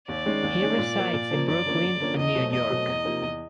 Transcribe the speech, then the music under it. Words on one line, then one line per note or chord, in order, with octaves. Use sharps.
He resides in Brooklyn, New York.
D#2 D5
D#3 G#3 C#4
D#2
D#3 G#3 C#4
A#2
F3 A#3
A#2
F3 A#3
F#2 D5
D3 F3 A#3 C#4
F#2
D3 F3 A#3 C#4
E2 D#5
B2 F#3 A3 C4
E2 D#5
B2 F#3 A3 C4
E2
C3 F3 A#3 D#4
E2